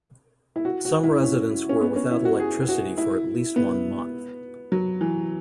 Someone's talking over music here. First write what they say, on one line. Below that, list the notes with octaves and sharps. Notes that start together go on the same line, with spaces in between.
Some residents were without electricity for at least one month.
E4
F#4
F#4
E4
C#4
C#4
B3
C#4
E4
F#4
G#4
F#4
E4
B3
F#3
E3